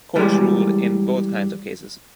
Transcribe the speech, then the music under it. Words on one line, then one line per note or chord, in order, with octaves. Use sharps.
Courts ruled in both kinds of cases.
E3 G3 G#3